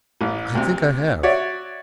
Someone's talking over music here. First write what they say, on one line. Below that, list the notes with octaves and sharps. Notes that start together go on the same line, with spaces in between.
"I think I have."
A1
D2 C3
F#4 C#5 D5 E5